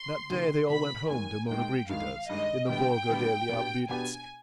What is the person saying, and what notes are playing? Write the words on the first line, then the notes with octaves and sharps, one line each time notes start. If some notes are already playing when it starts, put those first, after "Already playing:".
That day they all went home to Monna Brigida's, in the Borgo degli Albizzi.
Already playing: C6
D2 C3 D#3
D2 C3 D#3 B5
D#2 D#3 G#3 G#5
D#2 D#3 G#3 G5
G2 D#3 G#3 F5
G2 D#3 G#3 D#5
D2 D3 G3 B3 G5
D2 D3 G3 B3
B2 B3 D4 G4
B2 B3 D4 G4 G#5